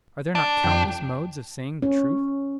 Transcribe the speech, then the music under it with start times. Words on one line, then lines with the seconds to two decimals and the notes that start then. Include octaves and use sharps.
Are there not countless modes of saying the truth?
0.35 D4
0.64 F2 G5
1.82 C#4